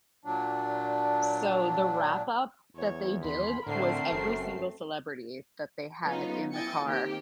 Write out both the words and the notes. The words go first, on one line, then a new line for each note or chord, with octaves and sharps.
So, the wrap-up that they did, was every single celebrity that they had in the car
A#2 F#3 D4
E2 C#5
D#2 B5 C6
A2 D3 A3 C4 A#4 C7
F#1 F#2
F#3 B3 C#4 D#4 F4
E4 D#5 G5 G#5 A6 C#7
D#3 A#3 C4 G4